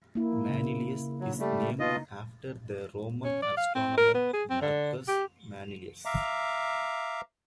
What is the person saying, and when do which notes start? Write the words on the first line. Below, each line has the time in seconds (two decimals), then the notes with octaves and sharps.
Manilius is named after the Roman astronomer Marcus Manilius.
0.15 A#3 E4
0.49 C#3
1.21 F#3
1.40 G3 A3
1.80 B2 D#4 F4 D#5
3.25 C#4
3.42 D5
3.57 F5
3.75 C4
3.98 A#4
4.15 B3
4.33 G#4
4.50 C4
4.62 D3
5.08 G4
6.05 E5 F5 A#5 D6